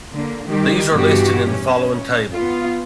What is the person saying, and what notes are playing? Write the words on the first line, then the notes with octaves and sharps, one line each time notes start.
These are listed in the following table.
D3 A#3
D#3 G3 G4
G2 B2 E3 F#4 G4
C#4
B3 F4